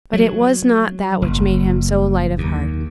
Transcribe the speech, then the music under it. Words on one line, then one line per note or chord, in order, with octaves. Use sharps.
But it was not that which made him so light of heart.
F#3
F#1
D#2